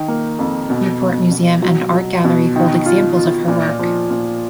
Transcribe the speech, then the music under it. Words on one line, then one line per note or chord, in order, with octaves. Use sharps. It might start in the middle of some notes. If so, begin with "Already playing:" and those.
Newport Museum and Art Gallery hold examples of her work.
Already playing: D#3
A#3
F2
B2
B2
B2
F#3
F#3
B2
D#3
F4
F4
A#2
F3
A#2